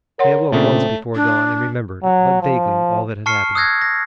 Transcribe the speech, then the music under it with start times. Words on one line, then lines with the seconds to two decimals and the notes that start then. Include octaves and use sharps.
He awoke once before dawn and remembered, but vaguely, all that had happened.
0.19 A#4 C#5 F#5 C6
0.52 A#2 C#3 A3 C4 D4
1.16 D4
2.04 F#3
2.42 F3
3.26 A5 C#6 F6 C7 C#7
3.55 D#6 E6 F#6 G#6 A#6
3.82 A#6